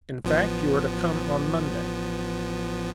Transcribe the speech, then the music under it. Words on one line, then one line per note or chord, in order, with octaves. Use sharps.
In fact, you are to come on Monday.
A1 F3 B3